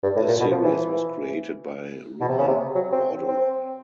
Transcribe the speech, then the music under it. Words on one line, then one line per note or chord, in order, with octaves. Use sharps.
The series was created by Ruman Bordoloi.
G2
A2
A#2
B2
F3
E3
B2
C3
C#3
C3
F#3
C4
C4